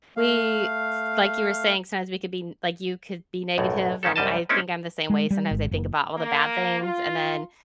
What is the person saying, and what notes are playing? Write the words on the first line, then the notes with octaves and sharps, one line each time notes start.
we like you were saying, sometimes we could be like you could be negative, and I think I'm the same way. Sometimes I think about all the bad things, and then
A3 F5
B1 F#2 A2
G#2 D#3 C#4 D#4 A4
C2 F#2 G3 D#5 A5
G#3 A#3 C4 C#4 D#4 E4
G#3
G3
G#1
F#1
A#3
F4